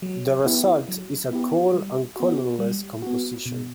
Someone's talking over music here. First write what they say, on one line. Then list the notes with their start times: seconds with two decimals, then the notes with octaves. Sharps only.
The result is a cold and colorless composition.
0.02 F#3
0.45 B3 E4 G4
0.88 F#3
1.31 B3 E4 G4
1.74 G3
2.16 B3 F#4
2.59 G3
3.02 B3 F#4
3.46 B2